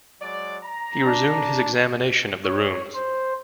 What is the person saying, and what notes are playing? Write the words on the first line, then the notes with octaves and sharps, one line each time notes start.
He resumed his examination of the rooms.
F#3 G#3 D5
A#5
D4
C#5
C5